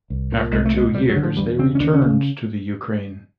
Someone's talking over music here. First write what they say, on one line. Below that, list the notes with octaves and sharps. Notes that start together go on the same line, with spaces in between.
After two years, they returned to the Ukraine.
C2
A#2
C2 G#3
A3
B2 G#3
D2 G3
F#3
D3
F3
E2 G3
C#3 C4
C#4
D#2 D4
C#4
C#3